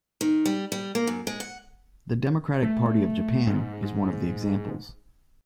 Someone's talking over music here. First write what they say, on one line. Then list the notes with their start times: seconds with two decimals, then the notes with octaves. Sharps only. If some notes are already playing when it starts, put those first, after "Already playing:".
The Democratic Party of Japan is one of the examples.
0.21 D#3
0.46 G3
0.72 G3
0.95 A#3
1.07 F#2
1.27 G#3
1.40 F#5
2.63 A3
3.47 G#2